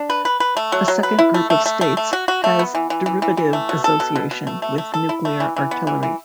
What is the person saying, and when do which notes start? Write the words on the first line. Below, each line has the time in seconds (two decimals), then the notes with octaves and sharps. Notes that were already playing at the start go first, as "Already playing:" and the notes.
A second group of states has derivative association with nuclear artillery.
Already playing: D4
0.10 B4
0.25 B4
0.40 B4
0.57 A3
0.72 F#3
0.88 F#3
1.03 B4
1.19 E4
1.34 A3
1.50 A3
1.66 A3
1.81 A3
1.97 A3
2.13 F#4
2.28 F#4
2.44 A3
2.59 B3
2.75 E3
2.90 E3
3.06 E3
3.22 E3
3.37 E3
3.53 A3
3.69 B2
3.84 A4
4.00 B2
4.16 B2
4.31 B2
4.47 A3
4.62 A3
4.78 A3
4.94 A4
5.09 E4
5.25 A3
5.40 E3
5.56 E3
5.71 B3
5.87 E3
6.03 E3